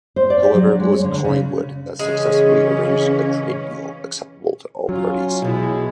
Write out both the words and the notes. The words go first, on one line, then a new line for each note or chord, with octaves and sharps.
However, it was Collingwood that successfully arranged a trade deal acceptable to all parties.
C5
D5
G4
F#3
D4
G#3
C#5
D3
C#3
C#3 E3 G#3 C#4
F#3 C#4 F4
B1 B2 E3 G#3 E4